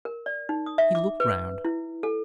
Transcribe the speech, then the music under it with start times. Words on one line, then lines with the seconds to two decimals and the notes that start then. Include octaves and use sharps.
He looked round.
0.05 A#4
0.26 D5
0.49 D#4
0.66 D#6
0.78 E5
0.95 D6
1.20 B4
1.65 E4
2.03 A4